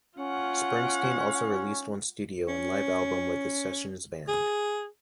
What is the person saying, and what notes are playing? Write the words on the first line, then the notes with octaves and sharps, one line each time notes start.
Springsteen also released one studio and live album with The Sessions Band.
C#4 F4 F#5
C#4
G#4